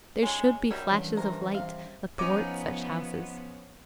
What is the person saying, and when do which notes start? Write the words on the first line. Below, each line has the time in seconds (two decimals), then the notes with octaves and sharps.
There should be flashes of light athwart such houses.
0.23 G#3 C#4 C#5
0.71 F#2 G3 C#5 E5
0.91 G2 E3 G3 C#4
1.17 C3 A#4
1.55 F5
2.19 F3 B3 C#4 D#4 C#5 D6